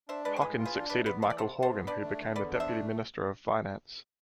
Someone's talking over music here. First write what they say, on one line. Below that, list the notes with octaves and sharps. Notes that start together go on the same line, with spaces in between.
Hockin succeeded Michael Horgan who became the Deputy Minister of Finance.
D4 C5 E5
G#3 B4 D5
C5
A2 G#4 B4
F4
G#4 B4
D4
C3 B4 D5
B3 B4 D5
E3 A4 C5
D5
C3 A4 C5
C3
A4 C5
B3
D4 B4 D5
A3
D3
E2 B4 D5
D4
C5 E5
A3